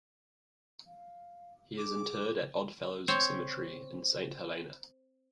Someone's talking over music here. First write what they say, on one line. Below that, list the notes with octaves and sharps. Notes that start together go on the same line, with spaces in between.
He is interred at Odd Fellows Cemetery in Saint Helena.
F5
G#4 D6
C4 C5 C#5